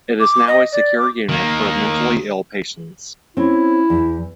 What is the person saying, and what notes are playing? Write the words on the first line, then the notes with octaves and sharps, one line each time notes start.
It is now a secure unit for mentally ill patients.
D6
D#5
D5
D6
D#3 A#3
C4 C#4 E4
E2